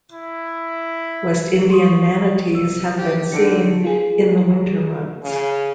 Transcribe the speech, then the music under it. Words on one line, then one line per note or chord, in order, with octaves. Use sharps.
West Indian manatees have been seen in the winter months.
E4
C6 C#6 D#6
C2 E6
D#3 G4 C5
D3 D#4 C#7 D7
F4 G#4
C#3